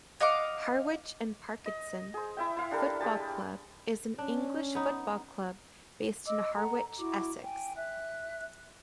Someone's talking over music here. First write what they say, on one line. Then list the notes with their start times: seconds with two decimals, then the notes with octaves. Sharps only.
Harwich and Parkeston Football Club is an English football club based in Harwich, Essex.
0.21 D#5 F5 F#5 D6
1.66 D#5
2.14 G#4 C5
2.37 E4 E5 G5
2.57 E4 F5 C6
2.71 D4 G4 A4 A#4
3.00 G#3 G4 A5
4.18 C#4 D4
4.75 B3 D#4
6.26 D#5 D6 E6
6.55 A4 F#5 A#5
6.98 E4 F#4 D6
7.44 G5 G#5
7.76 E5 F#6